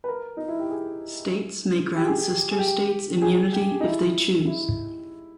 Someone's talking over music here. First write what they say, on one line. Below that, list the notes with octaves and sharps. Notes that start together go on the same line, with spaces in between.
States may grant sister states immunity if they choose.
B4
A#4
D#4
E4
G4
G#4
G4
G#4
G4
G#4
G4
G#4
G4
D#4
E4
E4